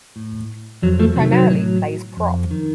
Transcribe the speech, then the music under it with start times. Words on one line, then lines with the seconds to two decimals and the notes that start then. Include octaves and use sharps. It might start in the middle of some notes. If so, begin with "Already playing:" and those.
He primarily plays prop.
0.16 A2
0.82 F2 F#3
0.99 F3 A3
1.16 C3 F#3
1.21 D#3
1.32 F#3
1.49 A2
2.17 F2
2.51 D#3